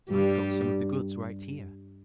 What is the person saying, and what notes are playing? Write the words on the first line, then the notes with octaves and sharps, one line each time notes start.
I've got some of the goods right here.
G2 G3